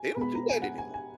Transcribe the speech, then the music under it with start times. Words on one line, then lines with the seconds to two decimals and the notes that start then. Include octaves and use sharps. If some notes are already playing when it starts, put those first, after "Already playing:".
They don't do that anymore.
Already playing: G#5
0.16 B2 G#3 B3 B5
0.35 A#5
0.49 G#5
0.62 F#5
0.78 G#5
0.94 G#5